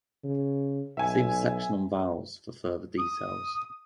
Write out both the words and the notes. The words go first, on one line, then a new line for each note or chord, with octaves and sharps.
See the section on vowels for further details.
C#3
B1 E5 G#5
D#6